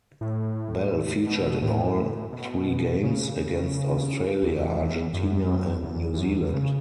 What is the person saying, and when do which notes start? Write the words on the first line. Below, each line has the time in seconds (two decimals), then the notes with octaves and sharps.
Bell featured in all three games, against Australia, Argentina and New Zealand.
0.21 A2
1.26 B2
1.62 A2
2.32 B2
3.03 C#3
4.43 E2
5.14 F#2
5.84 E2
6.13 E2
6.18 F#2
6.30 E2
6.42 E2
6.54 C#3